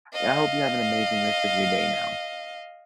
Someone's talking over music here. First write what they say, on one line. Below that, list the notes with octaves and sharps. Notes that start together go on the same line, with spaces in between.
and I hope you have an amazing rest of your day now.
D#5 F5